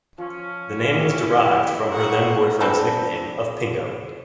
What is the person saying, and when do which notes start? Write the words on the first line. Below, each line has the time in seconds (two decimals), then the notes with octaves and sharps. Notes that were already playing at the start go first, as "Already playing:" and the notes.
The name was derived from her then boyfriends nickname of Pingo.
0.18 F3 C#4
0.93 E4 G4 C5
1.91 A#3 A#4 F#5 G5 A#5 C6 C#6 D#6
2.60 C4 D4 A4 B4